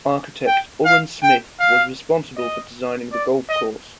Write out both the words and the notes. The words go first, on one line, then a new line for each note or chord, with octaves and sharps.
Architect Orrin Smith was responsible for designing the golf course.
G5
F5
G5
F5
D#5
D5
D#5